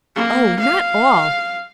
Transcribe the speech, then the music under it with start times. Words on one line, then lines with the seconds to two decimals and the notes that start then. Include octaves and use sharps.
'Oh, not all!
0.16 A#3
0.60 F5